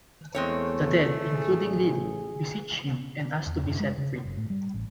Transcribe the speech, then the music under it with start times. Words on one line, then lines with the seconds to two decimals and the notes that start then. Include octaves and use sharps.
The dead, including Lily, beseech him and ask to be set free.
0.35 E2 G#3 A3 C4 C#5
1.33 A1 G#4
3.46 E2
3.63 F#2
3.80 G#3
3.98 C#3
4.25 F#1
4.37 A2
4.50 G3
4.74 A1